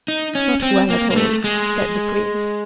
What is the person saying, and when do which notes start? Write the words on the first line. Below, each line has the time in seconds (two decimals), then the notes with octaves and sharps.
'Not well at all,' said the Prince.
0.08 D#4
0.35 C#4
0.62 C4
0.90 A#3
1.11 A#3
1.16 A3
1.44 G#3